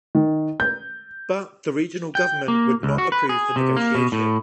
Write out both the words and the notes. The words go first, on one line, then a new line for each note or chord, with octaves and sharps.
But the regional government would not approve the negotiation.
D#3
G6
G5
A#3
C#2
F#4
B4
G#4
C3
A#3
B2
A2